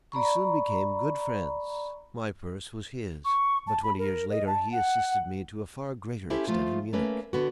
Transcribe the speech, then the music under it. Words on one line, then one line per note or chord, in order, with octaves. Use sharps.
We soon became good friends, my purse was his, but, twenty years later, he assisted me to a far greater extent in Munich.
D5 A#5 B5 C#6
C#6
A5
B5
A#4
D#5
A5
F#5
C#4 E4 G4 A4 C5
F3 A3 F4
A3 A#3 C#4 B4
D3 B3 F#4